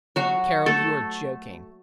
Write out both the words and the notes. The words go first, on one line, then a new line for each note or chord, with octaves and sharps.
"Carol, you are joking."
F#3 F#4
A3 A4